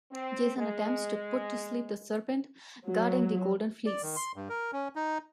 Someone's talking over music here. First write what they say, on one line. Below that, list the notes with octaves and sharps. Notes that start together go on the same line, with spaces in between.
Jason attempts to put to sleep the serpent guarding the golden fleece.
C4
G#3
F#3
D5
D#3
C6
G2
A#4
C#4
D#4